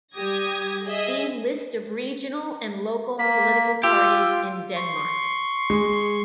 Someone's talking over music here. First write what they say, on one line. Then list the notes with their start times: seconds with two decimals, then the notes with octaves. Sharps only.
See List of regional and local political parties in Denmark.
0.16 G3 G4 D#6 G#6 A#6
0.84 G#4 D#5 E5
3.19 A#3 B6
3.83 F4 G4 E6
4.76 C6 C#6
5.70 G#3